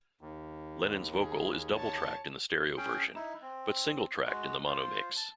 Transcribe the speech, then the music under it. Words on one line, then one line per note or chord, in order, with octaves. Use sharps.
Lennon's vocal is double-tracked in the stereo version, but single-tracked in the mono mix.
D#2
G#4
C#5 A5
C#4 G#4 G5
D#4 E4
C4
G#3 F#4
F4 C5
A5